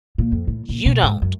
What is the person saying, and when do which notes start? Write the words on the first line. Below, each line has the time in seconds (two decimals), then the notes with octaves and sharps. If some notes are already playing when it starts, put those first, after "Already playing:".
You don't.
0.18 A#2
0.32 F2
0.47 A2
0.69 A#2
0.86 B2
1.03 G#2
1.22 F#2